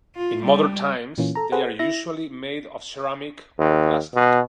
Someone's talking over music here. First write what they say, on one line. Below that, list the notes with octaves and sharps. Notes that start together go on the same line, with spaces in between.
In modern times, they are usually made of ceramic or plastic.
F4
G3
A#2 E3 A#3 C#4 F4
A4 A#5
G#4 A4 B4 C5 F#5
E4 E5 A#6
D#2
B2